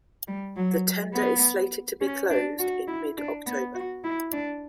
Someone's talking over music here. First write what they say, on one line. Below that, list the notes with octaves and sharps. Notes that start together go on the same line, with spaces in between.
The tender is slated to be closed in mid-October.
G3
F#3
B3
C#4
D4
F#4
E4
D4
B3
F#4
E4
D4